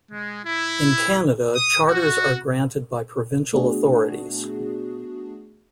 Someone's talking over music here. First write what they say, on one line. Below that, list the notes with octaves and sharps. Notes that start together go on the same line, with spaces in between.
In Canada charters are granted by provincial authorities.
G#3
E4
D#6
F#4
A3 B3 D4 F#4 G#4